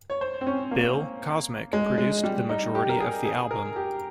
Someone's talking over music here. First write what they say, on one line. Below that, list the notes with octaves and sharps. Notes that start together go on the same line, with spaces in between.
Bill Cosmiq produced the majority of the album.
C#5
C5
C4
C#4
A#3
G#3
G#3
G3
D#4
G4
A#4
G#4
G#4
A#4
G4